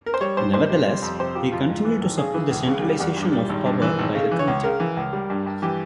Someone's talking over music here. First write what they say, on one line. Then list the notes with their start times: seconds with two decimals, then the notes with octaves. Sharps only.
Nevertheless, he continued to support the centralization of power by the Committee.
0.06 A#4
0.14 C5
0.21 G3 C#5
0.37 G2 C5
0.54 G2 C5
0.69 C3
0.87 G3
1.02 F2
1.19 C3 C5
1.35 F3 G4
1.52 F2 F4
1.68 G#2
1.85 E3
2.01 G#1
2.18 C#3 G#4
2.34 E3
2.51 C#2
2.67 C#3
2.83 G3
3.00 E2
3.17 G2
3.32 G3
3.49 G#1
3.66 G2
3.82 E3
3.99 G#1
4.15 C#3
4.31 E3
4.39 C#5
4.48 C#2
4.64 C#3 A#4
4.80 E3
4.97 C#2
5.13 G3
5.30 G2
5.46 G2
5.62 E3 G4